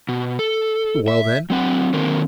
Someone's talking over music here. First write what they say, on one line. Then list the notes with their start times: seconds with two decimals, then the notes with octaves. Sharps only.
Well then?
0.09 B2
0.39 A4
1.08 E5
1.50 F#3 C4 F#5
1.93 D3 D#3 A#3 C4